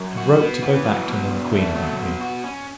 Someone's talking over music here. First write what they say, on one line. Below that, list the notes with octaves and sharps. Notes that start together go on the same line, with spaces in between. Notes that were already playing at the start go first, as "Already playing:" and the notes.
I have wrote to both Acton and the Queen about you.
Already playing: F#2
F#4
B3
E3
F#3
B2
E2
A3
F#3
B2
F#4
C#4